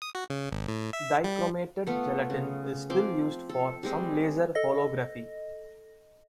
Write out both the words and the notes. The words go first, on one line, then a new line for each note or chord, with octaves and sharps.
Dichromated gelatine is still used for some laser holography.
D#6
F#4
C#3
G#1
A2
E5
G3
A3 B3 F4
C#3
F3 C4 C6 D6
A4
G3 G#3 C4
A4 D#5 A#6